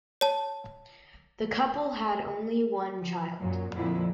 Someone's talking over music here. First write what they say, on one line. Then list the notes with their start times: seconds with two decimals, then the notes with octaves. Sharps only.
The couple had only one child.
0.21 C#5 A5
2.97 F3
3.37 F#2 A#2 F#3
3.74 F2 A#2 D3 F3 E4